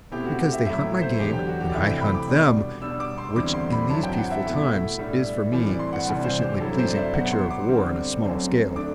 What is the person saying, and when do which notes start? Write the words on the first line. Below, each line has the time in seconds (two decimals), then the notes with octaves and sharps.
"Because they hunt my game, and I hunt them--which, in these peaceful times, is for me a sufficiently pleasing picture of war on a small scale."
0.11 B2 A3 C4 E4 G4
0.25 F#4
0.39 G4
0.52 E5
0.65 A2 F#3 A3 E4 E5
1.02 C5
1.20 E2 D3 F#3 G4
1.33 G4
1.47 F#4
1.60 G4
1.69 D5
1.73 C3 E3 A3 C4 E4 E5
1.87 G5
2.01 B5
2.15 D6
2.28 B2 G3 D4
2.82 B2 G3 D4 E6
3.00 D6
3.18 C6
3.36 E2 D3 G3 C4 E4 D6
3.54 C6
3.72 B5
3.90 G2 F#3 C4 E4 A5
4.03 G5
4.17 F#5
4.30 E5
4.44 B2 A3 E4
4.98 A2 G3 D4
5.52 A2 E3 G3 C4 E4 D5
5.66 D5
5.79 C6
5.93 F#5
6.06 C3 E3 G3 D4 D5
6.24 C5
6.42 G4
6.60 G2 F#3 C4 E4 A4
6.78 C5
6.88 D5
6.96 E5
7.14 B2 F#3 B3 F#5
7.32 C6
7.50 D6
7.68 D3 G3 C4
8.22 F#2 F#3 A3 C4
8.76 D3 A3 D4 D6